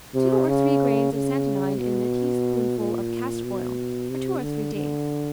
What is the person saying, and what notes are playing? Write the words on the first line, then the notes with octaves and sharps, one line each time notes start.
Two or three grains of santonine in a teaspoonful of castor oil, for two or three days.
C3
C#3
C#3
B2
A#2
B2
C3
D3
D3